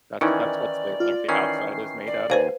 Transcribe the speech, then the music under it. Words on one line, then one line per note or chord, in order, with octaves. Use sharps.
That's that's what's they like, the outside is made out of?
D#3 E3 C#4 D#4 E4 D5
F4
D#3 E3 C#4 C7
D5
D#2 B4 C5 F5 G#5